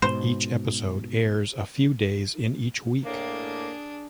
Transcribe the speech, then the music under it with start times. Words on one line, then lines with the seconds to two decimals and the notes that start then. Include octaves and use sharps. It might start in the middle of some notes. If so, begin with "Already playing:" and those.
Each episode airs a few days in each week.
0.02 G#2 B2 C5
3.04 A2 A#3 D4 G#4